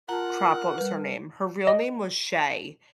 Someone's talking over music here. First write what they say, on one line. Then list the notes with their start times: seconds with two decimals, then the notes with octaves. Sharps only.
crap, what was her name? Her real name was Shay,
0.09 F4 A#4 F#5 A5 A#5
0.78 G3 B4
1.67 D#5